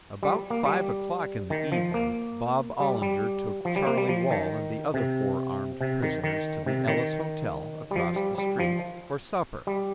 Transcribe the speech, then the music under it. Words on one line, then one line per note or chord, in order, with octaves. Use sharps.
About five o'clock in the evening, Bob Ollinger took Charlie Wall and the other four armed prisoners to the Ellis Hotel, across the street, for supper.
G3
A#3
G3
D#3
F3
A#3
G3
G3
F3
G3
A#3
G3
F3
D#3
C3
C3
D#3
D#3
C3
D#3
G3
F3
G3
G3
F3
G3